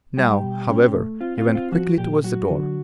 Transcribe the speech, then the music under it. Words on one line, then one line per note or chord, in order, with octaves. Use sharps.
Now, however, he went quickly toward the door.
G3 G4
B2
C#4
A3
C4 F4
F4
C4
F4
F3 F#4
A#2 G4
F#3 F#4
D3